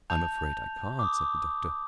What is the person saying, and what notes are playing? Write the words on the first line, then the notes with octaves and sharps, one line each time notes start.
"I am afraid I can't," said the Doctor.
A5 G6 F7
D6 D#6